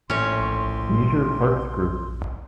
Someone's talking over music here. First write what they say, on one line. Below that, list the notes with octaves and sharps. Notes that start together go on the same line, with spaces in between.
Leisure Parks group.
A#1 A2 C#4 C#5 C6